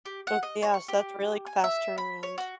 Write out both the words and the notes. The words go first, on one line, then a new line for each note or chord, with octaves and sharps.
Ok yeah, so that's a really fast turnaround.
G4
F#5
D#5
C#5
C#6
G4
G#5
E5
B5
C#5
F#4